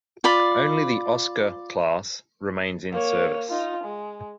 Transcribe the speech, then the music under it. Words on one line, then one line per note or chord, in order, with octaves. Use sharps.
Only the Oscar-class remains in service.
F4 D5 B5
A#3 C#5
D#4 F4
G#3